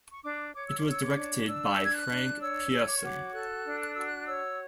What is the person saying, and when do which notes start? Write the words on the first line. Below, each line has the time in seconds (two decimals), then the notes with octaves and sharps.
It was directed by Frank Pierson.
0.12 C#6
0.23 D4 D6
0.55 C#5 D6
0.67 E6
0.79 D6
0.85 C#5
0.91 E6
1.03 D6
1.16 D4
1.47 D4 E6
1.78 D4
1.85 G#6
1.94 F#6
2.09 D4
2.41 C#5 E6
2.71 C#5
2.87 D6
2.97 C#6
3.03 F#4 D6
3.34 A4 F#6
3.65 D4
3.80 F#6
3.94 F#4 E6
4.07 F#6
4.27 C#5 E6